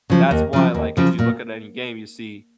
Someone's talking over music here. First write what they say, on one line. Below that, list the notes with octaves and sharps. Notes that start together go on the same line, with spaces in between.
That's why, like, if you look at any game, you see
C#3 F3
D#2
C#3 F3
D#2
C#3 F3
A#2